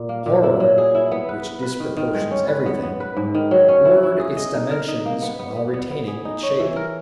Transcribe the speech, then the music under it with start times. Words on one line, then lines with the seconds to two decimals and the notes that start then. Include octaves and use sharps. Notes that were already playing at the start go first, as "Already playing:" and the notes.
Horror, which disproportions everything, blurred its dimensions while retaining its shape.
Already playing: A#2
0.09 A#3
0.26 A#2
0.43 E4
0.60 F#3
0.78 G#4
0.95 E4
1.11 B3
1.29 B4
1.46 B4
1.62 B4
1.80 D#3
1.97 D#3
2.14 G#3
2.31 C#4
2.48 B4
2.66 B3
2.83 B3
3.00 B4
3.17 G#2
3.35 D#3
3.51 F#3
3.68 C#4
3.85 E4
4.03 E4
4.20 G#4
4.37 D#5
4.54 D#4
4.71 A#4
4.88 D#4
5.06 A#3
5.22 B3
5.39 B3
5.56 B3
5.73 B3
5.91 B3
6.08 G#4
6.25 D#4
6.43 C#5
6.60 E3
6.76 A#4